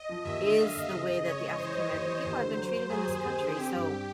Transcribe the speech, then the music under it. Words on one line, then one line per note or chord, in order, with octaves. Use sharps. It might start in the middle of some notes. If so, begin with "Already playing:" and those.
is the way that the African American people have been treated in this country. So,
Already playing: D#5
F3
D#2 E5
D3
D3 F5
D#2
C#3 D#5
C#3
C#3 C#5
G#3
E3 C5
E3
D#2
E3
D#2 C5
D3
F#3
F#3
F#3 G#4
D#2
D#2
D3
C4 G4
G2
G3